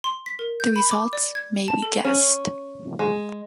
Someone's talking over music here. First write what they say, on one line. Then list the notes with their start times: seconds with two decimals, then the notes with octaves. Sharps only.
The results may be guessed.
0.04 C6
0.26 B6
0.39 A#4
0.60 G6
0.76 B5
0.91 D6
1.13 D5
1.35 G#6
1.68 A5
1.82 A4
2.05 C#4
2.99 G#3